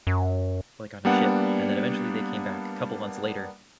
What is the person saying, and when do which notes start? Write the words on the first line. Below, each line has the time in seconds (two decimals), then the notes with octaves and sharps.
like, on a ship, and then eventually they came back a couple months later,
0.07 F#2
1.05 G3 A#3 B3 D4 F#5